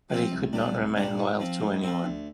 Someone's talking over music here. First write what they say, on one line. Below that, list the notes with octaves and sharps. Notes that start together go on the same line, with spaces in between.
But he could not remain loyal to anyone.
F3 C4 F4
C2
A#2 G3 D4
C2
A#2 G3 D4
G#2
F3 C4
G#2
F3 C4
D2